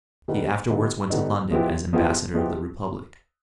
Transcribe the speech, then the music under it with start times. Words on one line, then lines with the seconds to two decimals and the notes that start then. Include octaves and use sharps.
He afterwards went to London as ambassador of the Republic.
0.28 D3 G3 B3 D#4
0.69 D3 G3 B3 D#4
1.10 D3 G3 B3 D#4
1.51 F3 G#3 B3 E4 G4
1.93 F3 G#3 B3 E4 G4
2.34 F3 G#3 B3 E4 G4